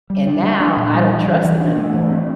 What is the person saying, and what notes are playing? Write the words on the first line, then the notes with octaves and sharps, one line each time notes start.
and now I don't trust them anymore."
G3
D4
D4
D4
A#2
G3
E3
E3
E3
D4
A3
E3
C4